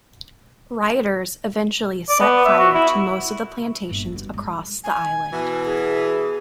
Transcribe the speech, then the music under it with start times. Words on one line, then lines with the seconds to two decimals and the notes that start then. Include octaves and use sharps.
Rioters eventually set fire to most of the plantations across the island.
2.09 D5
2.20 B3
2.45 E5
2.58 F#4
2.74 E4
3.89 G1 A#2
4.12 G2 F#3
4.33 G#3
4.84 G#5
5.33 B2 E3
5.65 G#4